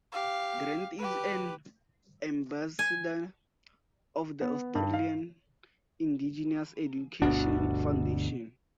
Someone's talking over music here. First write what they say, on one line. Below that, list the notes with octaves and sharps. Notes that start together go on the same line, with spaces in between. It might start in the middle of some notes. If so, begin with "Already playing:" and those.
Grant is an ambassador of the Australian Indigenous Education Foundation.
G4 F5
G4 B4
G#5
B3
G2
F5
G1 D2 B2 D4 F#4